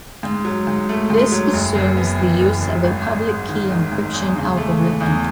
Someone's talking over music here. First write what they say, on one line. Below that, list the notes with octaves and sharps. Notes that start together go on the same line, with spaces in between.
This assumes the use of a public-key encryption algorithm.
G#2
F#3
G#2
A3
G#2
F#3
F#1
F#2
B3
E3
F#1
F#2
G#1
G#2
G#3
D#3
G#1
G#2
E2
C#3
A3
E3
E2